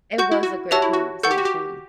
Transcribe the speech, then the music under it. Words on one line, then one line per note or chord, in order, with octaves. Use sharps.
It was a great conversation.
F#4 F#5 C#6 G6
E4
F#4
F#4 G4 C#5 E5 A5 E6
E4
F#4
A4 F#5 C#6 G6
G4
F#4
G4